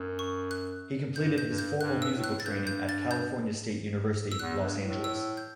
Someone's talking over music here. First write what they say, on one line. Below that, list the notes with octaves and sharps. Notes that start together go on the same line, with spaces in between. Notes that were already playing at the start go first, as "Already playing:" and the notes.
He completed his formal musical training at California State University, Los Angeles.
Already playing: F#2
C#6
F#6
G2 G6
G6
G2
G6
G2 F#6
E6
A2
F#6
A6
G2 G6
G6
A6
G6
E6
E2 F#6
G2
A2
E6
G6